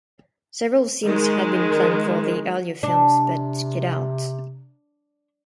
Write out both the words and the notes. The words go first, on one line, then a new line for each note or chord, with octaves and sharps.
Several scenes had been planned for the earlier films but cut out.
D#3 G#3
C3 D4